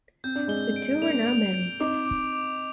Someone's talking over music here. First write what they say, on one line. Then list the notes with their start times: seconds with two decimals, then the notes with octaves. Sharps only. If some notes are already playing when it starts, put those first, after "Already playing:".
The two are now married.
0.24 C4 G6
0.36 D4
0.47 G#3 C4 G7
0.76 D7
1.02 A#3 D4 F7
1.28 F7
1.54 D7
1.80 C4 D#4 D6
2.06 D6
2.33 D6